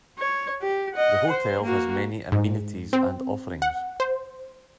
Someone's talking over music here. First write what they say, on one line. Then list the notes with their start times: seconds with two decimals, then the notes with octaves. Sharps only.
The hotel has many amenities and offerings.
0.19 C#5
0.62 G4
0.95 D#5 F#5
1.30 C5
1.62 A#3 F#4
2.32 G#2
2.93 C4
3.62 F#5
4.00 C5